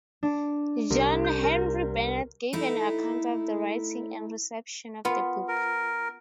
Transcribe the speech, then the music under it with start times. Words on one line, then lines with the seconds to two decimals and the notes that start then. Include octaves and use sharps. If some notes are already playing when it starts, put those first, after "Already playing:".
John Henry Bennett gave an account of the writing and reception of the book.
0.23 D4
0.90 C2
1.24 G6
1.43 A#4
2.53 A3 D#4 E4
5.05 B3 F4
5.48 A#4